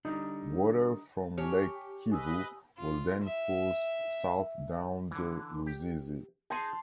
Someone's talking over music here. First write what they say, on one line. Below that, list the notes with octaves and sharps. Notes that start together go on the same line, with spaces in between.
Water from Lake Kivu was then forced south down the Ruzizi.
D3 G3 D#4
G4 C#5 G#5 A5 F6
B4 D#5 G#5 D#6 E6
F4
E5
D3 E3
G4
D#4 G#4 G#5 A5 C6